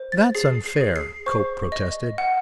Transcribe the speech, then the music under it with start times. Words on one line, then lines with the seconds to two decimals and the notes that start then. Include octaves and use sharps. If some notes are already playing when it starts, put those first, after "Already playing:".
"That's unfair," Cope protested.
Already playing: C5
0.12 A6
0.35 G#4 C7
0.66 C7
0.81 G#4
0.96 C7
1.26 C5 C#6
1.72 D#5
2.18 F#5